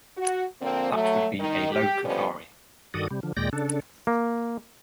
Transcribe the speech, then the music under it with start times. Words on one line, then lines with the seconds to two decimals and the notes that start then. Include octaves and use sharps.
That would be a "low kakari".
0.17 F#4
0.62 D3 F3 A#3 C4
0.93 F#3 A3
1.40 D#3 D#4
1.72 G4
2.05 B2 D3 F3 G3 B3 C#4
2.94 G2 D#3 F#4 A4 D5 D#6
3.11 C3 G3
3.23 D3 F3
3.37 D#2 A#2 G#3 D5 G5 A#6
3.53 C#3 D4 A4
4.07 A#3